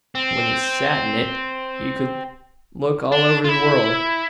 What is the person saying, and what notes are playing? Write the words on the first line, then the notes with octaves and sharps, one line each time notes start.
When he sat in it he could look all over the world.
C4
D4
F4
E4